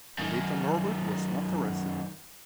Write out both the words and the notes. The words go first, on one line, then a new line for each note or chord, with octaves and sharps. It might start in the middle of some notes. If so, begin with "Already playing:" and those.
Melita Norwood was not arrested.
F#2 D#3